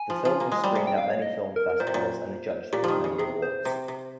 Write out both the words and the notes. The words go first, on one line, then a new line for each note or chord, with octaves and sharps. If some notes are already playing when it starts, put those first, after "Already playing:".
The film was screened at many film festivals and adjudged with many awards.
Already playing: G#5
F3
F3
A#3
G#3
G3
C3
G5
F5
C#5
D#5
A#4
A#4
A#2 C5
C3
A#2
A#2 G4
D#3 F3
C#3
C3 G#4
C5
C3
C3